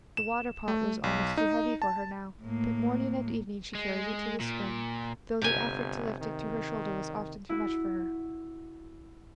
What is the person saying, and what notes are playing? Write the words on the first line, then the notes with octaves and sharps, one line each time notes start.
The water-pot was almost too heavy for her now, but morning and evening she carried it to the spring, though the effort to lift it to her shoulder was often too much for her.
E7
A3
B1
D#4
A5
A2 A#3
G#3
A#2
G1 C3 G#5
D#3
E4 F#4